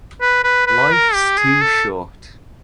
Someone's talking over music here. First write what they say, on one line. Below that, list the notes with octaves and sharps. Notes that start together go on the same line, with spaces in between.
Life’s too short.
B4
B4
B4
A#4
G4
G#4
A4